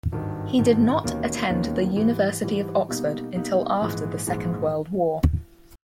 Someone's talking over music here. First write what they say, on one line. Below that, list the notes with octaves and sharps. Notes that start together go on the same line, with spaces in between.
He did not attend the University of Oxford until after the Second World War.
G#1 G2 D#3
G#1 G2 D#3
E1 D#2 D#3 A#3 C#4
E1 D#2 D#3 A#3 C#4
G#2 E3 G3
G#2 E3 G3
B2 G3 A#3 D#4
B2 G3 A#3 D#4
A#1 G#2 E3 G#3
A#1 G#2 E3 G#3